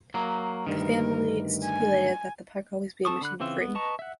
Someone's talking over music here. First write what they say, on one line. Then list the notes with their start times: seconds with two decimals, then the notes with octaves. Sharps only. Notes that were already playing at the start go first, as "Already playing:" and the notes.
The family stipulated that the park always be admission-free.
0.14 F#3 A#3
0.67 D2 G2 D#3 A#4
1.63 G#5
3.05 C4 A4 A5 C#6 D#6
3.21 D3 B5 F#6
3.40 C#3 E3 C4 F4 E5
3.60 B3
3.75 B4 D#5 A5 A#5 C#6
3.99 E5 F#5